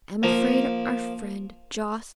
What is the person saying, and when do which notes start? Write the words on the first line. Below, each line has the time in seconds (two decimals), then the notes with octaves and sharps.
I am afraid our friend Jos.
0.23 F3 A#3